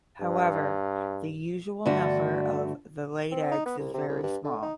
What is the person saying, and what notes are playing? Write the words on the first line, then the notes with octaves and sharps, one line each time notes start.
However the usual number of the laid eggs is very small.
G2
G2 D3 A3 F#4
C4
D#4
B3
C2
C3
C2
G2
D3
D#4